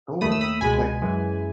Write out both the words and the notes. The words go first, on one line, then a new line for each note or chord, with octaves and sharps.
Oh, 'kay.
D#2 D#3 A3 B5 D#6
E6
B5 D#6
C#2 B2 G#3 G#5 B5
F#2 E3 G#3